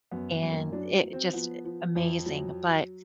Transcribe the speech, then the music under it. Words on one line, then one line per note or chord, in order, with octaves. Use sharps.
and it just i amazing, but
F#2 B3
B3
F#2
A#3
F#3 D4
F#3
C4
F3 B3
F3
F2
F#3